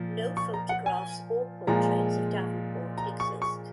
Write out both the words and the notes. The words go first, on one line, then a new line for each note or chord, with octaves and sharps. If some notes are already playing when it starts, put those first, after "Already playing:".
No photographs or portraits of Davenport exist.
Already playing: A#2 F3
C#6
A#5
F#5
G#5
A#2 F3 G#3 A#5
A#5
C#6
C#6